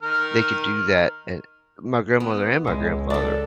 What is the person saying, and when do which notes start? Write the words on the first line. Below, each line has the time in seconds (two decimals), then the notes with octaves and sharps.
they could do that, and my grandmother and my grandfather,
0.02 D#3 A#4 F6
2.20 B3
2.64 C#2 G#3 E4
3.10 D4 A4 D5 E5